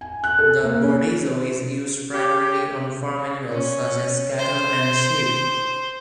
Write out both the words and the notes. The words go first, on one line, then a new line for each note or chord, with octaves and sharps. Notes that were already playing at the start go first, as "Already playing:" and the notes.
The burdizzo is used primarily on farm animals such as cattle and sheep.
G#5
F#6
A4
A#3
C#4
G4
C#4
C5